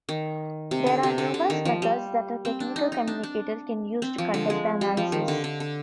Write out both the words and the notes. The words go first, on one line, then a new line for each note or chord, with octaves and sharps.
There are numerous methods that a technical communicator can use to conduct the analysis.
D#3
C3
D3
C3
D3
D3
D#3
F3
G3
C4
D4
D#4
D#4
D4
D4
C4
F3
D3
G#3
G3
F3
D#3
D3
D3
D3